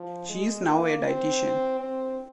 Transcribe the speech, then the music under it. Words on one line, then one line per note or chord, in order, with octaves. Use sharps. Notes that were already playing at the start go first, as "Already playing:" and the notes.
She is now a dietician.
Already playing: F3
G#3
A#3
C4
C4